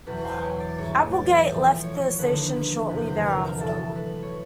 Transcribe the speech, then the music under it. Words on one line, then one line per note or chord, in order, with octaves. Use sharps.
Applegate left the station shortly thereafter.
E2 B2 F#3 B4
C5
C#5
D5
G#2 E3 G3 C#5
D5
A2 F3
C#5
C#5
D#2 D3 F3 B4
E2 C3 F3 B4
C5
A#4
A2 F#3 A4
B4
C#5